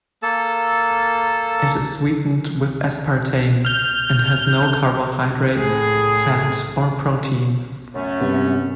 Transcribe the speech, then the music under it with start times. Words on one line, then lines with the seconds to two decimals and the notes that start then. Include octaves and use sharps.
It is sweetened with aspartame and has no carbohydrates, fat, or protein.
0.23 A#3 A4 A5
3.65 F6 G6
5.58 A2 G#4
7.94 F#2 A3 C#4
8.21 G2 C3 B3